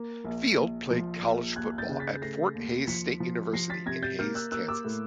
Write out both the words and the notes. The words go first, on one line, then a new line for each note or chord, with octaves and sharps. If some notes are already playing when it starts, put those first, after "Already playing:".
Field played college baseball at Fort Hays State University in Hays, Kansas.
Already playing: A#3
A#1
A#1
F3
A#1
D#2 F#6 G#6
G6 A6
C#3
A6 B6
A3 A#6 C7
D#2
F3 B6 C#7
F3
F3 A#6 C7
A6 B6
C3 G#6 A#6
G6 A6
A#3 F6 G6
E6 F#6
A#3 E6 F#6
D6 E6
A2